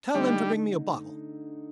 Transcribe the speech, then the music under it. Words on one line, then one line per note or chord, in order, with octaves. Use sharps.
Tell them to bring me a bottle.
D3 G3 A3 D#4